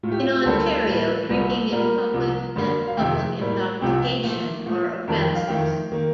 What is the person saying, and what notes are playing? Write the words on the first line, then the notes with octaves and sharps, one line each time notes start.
In Ontario, drinking in public and public intoxication are offenses.
A2 F4
A3 G4
F4
G4
D2 D3 G3 A#3 A4
A2 G3 A#3
C2 A#2 G3
A#2 G3 A#3 A#4
C2 C3 F3
G2 D3 G3 A#3
F5
F2 C3 D#3 A3 G5
A2 G3 A#3
C2 C3 F3 A3 G5
A#2 F3 A3
A#2 F3 A3
F2 D#3 G3 A5
G5
F5
F2 D#3 A3 G5
D#3 A#3